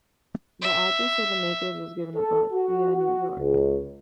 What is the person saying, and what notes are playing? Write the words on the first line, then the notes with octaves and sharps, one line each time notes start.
The address of the makers was given as Batavia, New York.
E5
A4
F#4
F#4
C#2